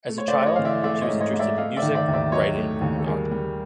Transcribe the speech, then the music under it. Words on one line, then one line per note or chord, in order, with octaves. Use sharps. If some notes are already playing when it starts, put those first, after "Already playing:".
As a child, she was interested in music, writing and art.
A3
C#5
C5 D5
A3
C#5 D#5
E3 F5
D5 E5
A3 D5 E5
C#5 D#5
G#2
C#5 D#5
G#2
D5 E5
A3 D#5 F5
D5 E5
D#3
D5 E5
D#2
D5 E5
F#3 C#5 D#5
A3
D#2
A4
G3 G#4 A#4
G3